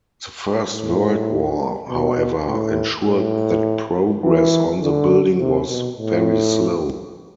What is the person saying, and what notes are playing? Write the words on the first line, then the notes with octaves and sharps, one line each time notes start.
The First World War, however, ensured that progress on the building was very slow.
A2
B2
A2
A2
E3
D3
C3
B2
A2